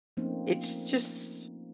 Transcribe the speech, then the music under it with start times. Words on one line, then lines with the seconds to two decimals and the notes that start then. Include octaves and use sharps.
it's just
0.17 F3 A3 A#3 C4 C#4 D#4